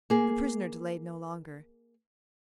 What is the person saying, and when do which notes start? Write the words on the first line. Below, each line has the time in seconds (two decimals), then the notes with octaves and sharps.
The prisoner delayed no longer.
0.10 A#3 G#4